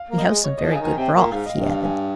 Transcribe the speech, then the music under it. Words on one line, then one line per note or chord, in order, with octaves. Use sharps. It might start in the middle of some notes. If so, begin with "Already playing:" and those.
"We have some very good broth," he added.
Already playing: F5
A#3
D#5
G#3
C#5
F3 D#5
C#3 G#5
D#3
G#5
C3 G5
A#2 F5
G#2 F5
D#5
G2 F5
F5
G#5